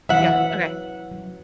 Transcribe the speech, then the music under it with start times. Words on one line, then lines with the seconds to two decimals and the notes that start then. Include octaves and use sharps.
Yeah, okay.
0.09 E3 F#3 E5 F#5
1.11 F#3